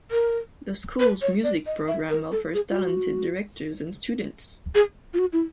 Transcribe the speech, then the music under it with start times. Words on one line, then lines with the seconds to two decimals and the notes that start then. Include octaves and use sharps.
The school's music program offers talented directors and students.
0.11 A#4
1.00 B4
1.22 C#5
1.44 D5
1.66 D#5
1.88 E5
2.10 A#4
2.32 A4
2.54 G#4
2.70 F4
2.76 F#4
4.75 G#4
5.14 F4
5.19 F#4
5.33 E4